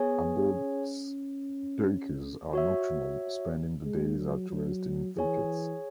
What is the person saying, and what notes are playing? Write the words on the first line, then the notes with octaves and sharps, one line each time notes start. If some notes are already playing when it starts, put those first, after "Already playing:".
Abbott's duikers are nocturnal, spending the days at rest in thickets.
Already playing: B3 G#4 C#5 G#5
C#4
F#4 C#5 E5
G#3
F#3
F#3
E3 G#4 C#5 G#5